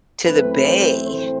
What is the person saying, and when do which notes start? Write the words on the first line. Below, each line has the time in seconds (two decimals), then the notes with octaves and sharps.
to the bay.
0.24 F#2 E3 A3 C4 B4
0.64 C5
1.04 A2 E3 A3 C4 C5